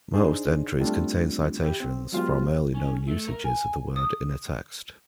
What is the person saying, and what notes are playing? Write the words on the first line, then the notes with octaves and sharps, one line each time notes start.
Most entries contain citations from early known usages of the word in a text.
D4 D#4 G#4 C5 D5
G3 A3 C4 D4 F4
E4 G4
C4
F#3 G#3 B3 F4 G4 C5
C#4
A3
A#4
G#5
D#6